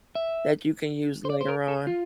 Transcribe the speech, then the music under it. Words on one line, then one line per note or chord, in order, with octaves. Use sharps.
that you can use later on.
E5
C5
D5
C5
A#4
A4
F4